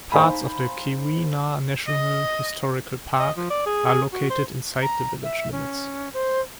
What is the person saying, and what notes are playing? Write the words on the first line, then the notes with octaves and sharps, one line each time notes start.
Parts of the Keweenaw National Historical Park are located inside the village limits.
D#4 C5 F5 G#5 A#5 B5
D#5
D#5
F3
D5
G#4
G#4
F#4
C5
A#5
E5
C#4
C5